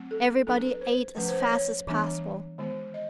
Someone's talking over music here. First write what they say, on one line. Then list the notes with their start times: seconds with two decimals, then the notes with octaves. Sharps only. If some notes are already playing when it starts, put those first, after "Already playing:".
Everybody ate as fast as possible.
Already playing: F#3 A3 C4
0.11 A4
0.47 F#3 B3 D4 A4
0.65 B4
0.81 C5
1.17 F3 A3 C#4 B4
1.29 C5
1.40 C#5
1.53 C#5
1.88 E3 G3 B3 D4
2.58 D#3 G#3 B3
2.94 D#5